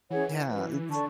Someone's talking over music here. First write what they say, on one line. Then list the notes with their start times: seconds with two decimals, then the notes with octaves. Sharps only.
Yeah, it's
0.10 E3 C#4 G#4 C#5 F#5
0.50 C#4 F#4 B4
0.89 D3 A4 D5 A5 C#6